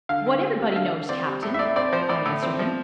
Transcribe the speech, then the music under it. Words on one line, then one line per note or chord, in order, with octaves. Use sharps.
"What everybody knows, captain," I answered him.
D3 F5
D3
C4
G3
E5
D3 F5
D3
C4 D5
G3
A2
E5
A2 D5
C4 D5
F3 C5
A2 D5
A2
C4
F3